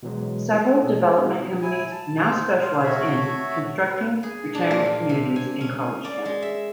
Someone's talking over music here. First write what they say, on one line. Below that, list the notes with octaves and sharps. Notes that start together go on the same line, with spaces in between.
Several development companies now specialize in constructing retirement communities in college towns.
B2 E3 F#3 G#3
A#3 E4 A4 A#4
B2 D#4 G#4 A4
G#3 E4 F#4 G#4
E4 G#5
A5
D#4 C5
F4 F5
A3 F#4 C#5 E5
B4
G#4
D4
A#3
A#2
C3
G#5
C#4
D5
G#3
E5